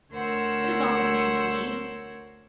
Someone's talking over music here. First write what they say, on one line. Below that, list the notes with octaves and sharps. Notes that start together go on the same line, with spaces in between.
It is all the same to me.
D2 A#4 C5 C#5 F#5 E6